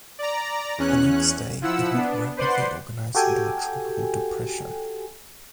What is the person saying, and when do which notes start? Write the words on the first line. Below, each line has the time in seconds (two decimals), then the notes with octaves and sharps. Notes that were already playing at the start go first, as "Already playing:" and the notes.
The next day, it had rapidly organized into a tropical depression.
0.19 D5 A#5
0.78 E2 C#4 F#6
1.62 F3 E4 F#5 E6
1.94 B3 D4
2.37 B4 C5 D5 F#5 C6
3.15 F#4 G4 A4 G5 G#5